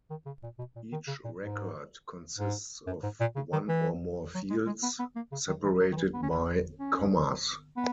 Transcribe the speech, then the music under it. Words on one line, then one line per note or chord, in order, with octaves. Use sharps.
Each record consists of one or more fields, separated by commas.
D#3
C#3
A#2
B2
A#2
D#3
C#3
A#2
G#2
G#2
F#2
G#2
A#2
C#3
D#3
E3
F#3
G#3
G#3
B3
B3
A#3
C#3
D#3
E3
F#3
D#3
E3
B3
C#4
B3
C#4
B3